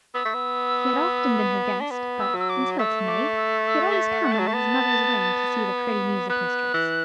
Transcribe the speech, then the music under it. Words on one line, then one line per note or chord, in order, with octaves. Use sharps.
He had often been her guest; but, until to-night, he had always come under his mother's wing to see the pretty music-mistress.
B3 E6
A3
B3
D4
B3
E6
F#3
E6
D6
A3 E6
D6
E6
E6
E5
F#5
F#5
A5
F#3
A3
B3
B3 F#6
E3